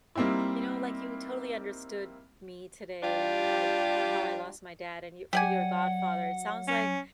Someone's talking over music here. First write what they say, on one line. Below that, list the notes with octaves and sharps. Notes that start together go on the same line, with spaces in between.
you know, like, you totally understood me today and, like, uh, how I lost my dad, and you for your godfather. It sounds like,
G3 A#3 C4 D#4 E4
G3 D4 F4 G4
F#3 G4 D5 F#5 G#5
C#4